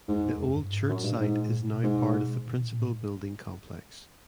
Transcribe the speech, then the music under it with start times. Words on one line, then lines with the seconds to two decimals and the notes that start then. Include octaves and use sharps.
The old church site is now part of the Principal building complex.
0.08 F2 G#2
0.24 F2
0.35 E2
0.46 F#2
0.56 G2
0.72 G#2
0.87 F#2 A2
1.03 G2 A#2
1.20 G#2
1.51 A#2
1.67 B2
1.83 G#2
2.46 B2
2.62 A#2
2.78 A2